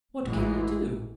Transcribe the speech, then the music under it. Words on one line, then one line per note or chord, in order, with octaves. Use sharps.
What can you do?'
A1 G#2 E3 G#3